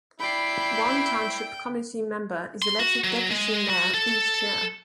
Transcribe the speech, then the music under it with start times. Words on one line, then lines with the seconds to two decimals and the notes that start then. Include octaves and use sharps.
One township committee member is elected deputy mayor each year.
0.20 E4 D5 G5 B5 C7
2.62 C6
2.80 F#4
3.04 F#3
3.31 G#3
3.70 F#4
3.94 A4